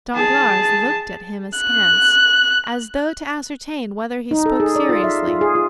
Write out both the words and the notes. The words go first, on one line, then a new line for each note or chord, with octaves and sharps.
Danglars looked at him askance, as though to ascertain whether he spoke seriously.
G#4 A5
F#6
D#4
A4
G#4
D5
F4
E5
F4
G#4
F4